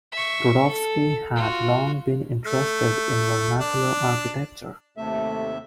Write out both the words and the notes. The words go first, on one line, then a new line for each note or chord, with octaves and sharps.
Rudofsky had long been interested in vernacular architecture.
E5 C#6
A4
F4 F#4
A3
D4
D#2 C3 A3 E5